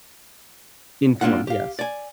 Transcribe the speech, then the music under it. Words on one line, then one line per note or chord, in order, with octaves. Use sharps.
Informed, yes.
A#3 C4 D4 F4 F#5
G4 F5
D5 G#5